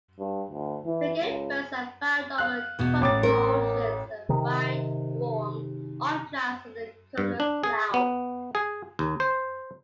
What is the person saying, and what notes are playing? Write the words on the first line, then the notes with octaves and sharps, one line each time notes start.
Frigatebirds are found over tropical oceans, and ride warm updrafts under cumulus clouds.
G2
D2
E3
C#2
F5 F#6
E2 B2
A1 D6 A6
A#4
C3 D#3
G2
D4
G#4
B3
G#4
D#2
C5